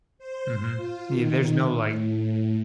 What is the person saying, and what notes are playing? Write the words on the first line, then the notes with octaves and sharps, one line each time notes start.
mhm, yeah, there's no, like
C5
F4
D#3
A2